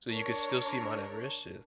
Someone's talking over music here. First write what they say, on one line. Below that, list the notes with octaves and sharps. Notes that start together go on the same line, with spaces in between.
so, you could still see Mount Everest, yeah.
D4 A#4 C#5